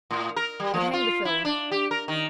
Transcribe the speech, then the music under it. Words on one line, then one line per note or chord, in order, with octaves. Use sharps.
But, hang the fellow!
A2
A#4
G3
F3
F4
E4
D4
G4
A#4
D#3